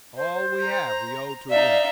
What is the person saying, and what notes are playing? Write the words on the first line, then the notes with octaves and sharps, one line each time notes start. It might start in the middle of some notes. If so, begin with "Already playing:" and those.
All we have we owe to women.
C5
A#5
D#4 D5 E5 F5